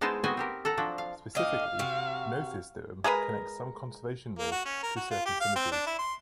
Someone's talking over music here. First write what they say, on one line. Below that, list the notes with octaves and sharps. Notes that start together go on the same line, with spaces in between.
Specifically, Noether's theorem connects some conservation laws to certain symmetries.
G#3 B3 D#4 E4 C5 A5
B3 C4 F#4 D#5 G#5
C4 G4 A#4
A4 F#5 A#5
F3 F#3 D4
F5
A2 D4 D#5 F5
C3 F#4
G#3 G#4 A#4 B4
A#3
F#4
C#4
A#4
F#4
F4
G4
F5
C4
D4
E4
C6